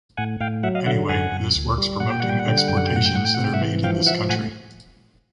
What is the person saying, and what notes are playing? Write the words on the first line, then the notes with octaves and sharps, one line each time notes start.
Anyway, this works promoting exportations that are made in this country.
A2 F#5 G#5
A2 F5 G5
F#3 E5 F#5
D#5 F5
D3 E5 F#5
F#2 F#5 G#5
F#2
D2
G3
A#2 F#5
G5
G3 F#5
G5
F#5
D3 G5
F#5
F#2 G5
F#5
G5
A2 F#5
G5
A2 F#5
G5
C3 F#5
G5
E5 F#5
E3
F3 F5 G5
F3 E5 F#5
A2 F#5 G#5